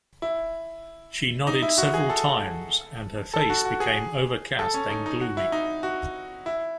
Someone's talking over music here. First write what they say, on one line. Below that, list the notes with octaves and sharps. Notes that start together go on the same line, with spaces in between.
She nodded several times, and her face became overcast and gloomy.
E4
D#4
E4
F#4
G#4
A4
A4
F#4
F#4
G#4
A4
C#4
D#4
D#4
F#4
E4
D#4
F#4
E4